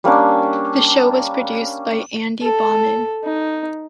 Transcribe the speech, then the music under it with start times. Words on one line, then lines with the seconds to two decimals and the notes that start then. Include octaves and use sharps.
The show was produced by Andy Bauman.
0.04 G3 A#3 C#4 D4
2.42 A4
3.23 D#4